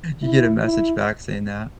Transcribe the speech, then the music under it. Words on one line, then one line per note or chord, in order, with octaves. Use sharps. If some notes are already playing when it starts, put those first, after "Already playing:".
you get a message back saying that.
E4
E4